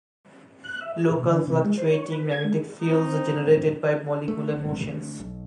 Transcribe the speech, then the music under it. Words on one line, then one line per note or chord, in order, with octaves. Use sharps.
Local fluctuating magnetic fields are generated by molecular motions.
F#6
E5
G#4
B2
D3
C3
G#3
C5
C#5
B4
G#6
G#3
C4 D#4
A3
F#1
D2
B1